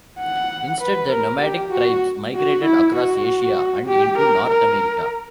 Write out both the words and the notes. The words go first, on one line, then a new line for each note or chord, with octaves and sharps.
Instead, the nomadic tribes migrated across Asia and into North America.
F#5
B4
A#4
G4
F#4
F#4
E4
F#4
G4
A#4
A#4